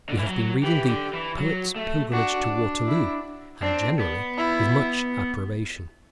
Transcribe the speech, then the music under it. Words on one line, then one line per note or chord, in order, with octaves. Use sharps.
We have been reading the "Poet's Pilgrimage to Waterloo," and generally with much approbation.
D3
E3
F#3
E3 G4
D3
E3
F#3
A3
D4 F#4
E4
C4 D4
B3
E4